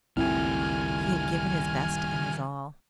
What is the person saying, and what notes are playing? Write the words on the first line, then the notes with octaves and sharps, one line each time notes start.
He had given his best and his all.
F#1 C#2 A2 D#3 G3 C4 G#5 F6